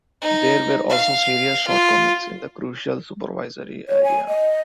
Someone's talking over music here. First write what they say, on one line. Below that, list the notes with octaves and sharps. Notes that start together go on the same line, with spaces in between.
There were also serious shortcomings in the crucial supervisory area.
D#4
F5
F4
C#5
G#5
D#5